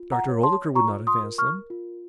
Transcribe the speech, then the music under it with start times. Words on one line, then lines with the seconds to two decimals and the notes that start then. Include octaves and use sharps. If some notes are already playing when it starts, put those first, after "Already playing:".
Dr. Oldacre would not advance them.
Already playing: F4
0.12 F#5 A#5
0.29 C#5
0.43 A5 C6
0.75 F4 A#5 C#6
1.07 C6 D#6
1.23 A#4
1.38 C#6 F6
1.70 F4